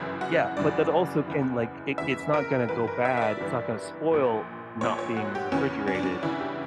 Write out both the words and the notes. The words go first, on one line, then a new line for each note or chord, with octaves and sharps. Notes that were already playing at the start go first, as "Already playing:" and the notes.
Yeah. But that also can like it it's not gonna go bad. It's not gonna spoil not being refrigerated,
Already playing: G1 F#2 C#3 E3 E4
F#4
G1 F#2 C#3 E3 D5
F#1 E2 C#3 E3
F#1 E2 C#3 E3 E5
A#4
G1 G2 E3 B4
A#4
E5
E5
D5
G1 G2 E3
A#1 A#2
A#1 A#2 C#5
C#5
F#4
G4
E2 C#3 E3 C#4
C#4
D4
C#4
E2 C#3 E3 E4
G4